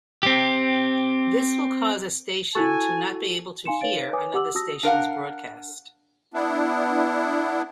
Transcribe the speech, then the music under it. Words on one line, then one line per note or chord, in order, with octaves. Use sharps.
This will cause a station to not be able to 'hear' another station's broadcast.
C4 G4
E4 F#4 A4 G#5 C#6
D#4 F5 G#5 C6 C#7 E7
D#4 B4 C#5 F5 A6 D7
B4 C#5 G#5 D6 D#6
G4 F#5 D6 E6 F#7
F#4 A5 D#6 E6 A#6
D4 A#4 F5 F#5
B3 D4 E4